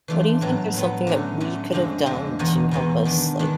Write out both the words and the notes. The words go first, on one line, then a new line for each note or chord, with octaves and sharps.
What do you think there's something that we could've done to help us, like,
E3 A3 D4 F4
A2 F#3 B3
A2 F#3 B3
D3 F#3 A3 C#4
D3 F#3 A3 C#4
F2 D3 F3 G#3
F2 D3 F3 G#3
E2 B2 G#3 B3 D#4
E2 B2 G#3 B3 D#4
D#3 G#3 B3 D4
D#3 G#3 B3 D4